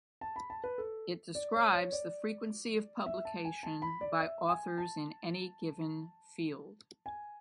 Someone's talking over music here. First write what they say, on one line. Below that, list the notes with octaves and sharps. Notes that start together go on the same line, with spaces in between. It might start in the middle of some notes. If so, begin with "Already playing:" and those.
It describes the frequency of publication by authors in any given field.
A5
B5
A5
B4
A4
D5
C#5
C#5
D5
E5
A5
G#5
A5
B5
D5
E5
G#5
A5
G#5